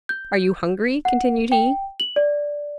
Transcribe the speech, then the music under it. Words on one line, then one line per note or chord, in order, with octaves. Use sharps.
"Are you hungry?" continued he.
G6
F#5
G5
F#7
D5